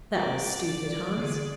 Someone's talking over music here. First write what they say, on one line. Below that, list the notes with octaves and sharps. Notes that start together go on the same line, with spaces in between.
'That was stupid, Hans.
A#3 F#4 G4 D5
D3 E3 G#4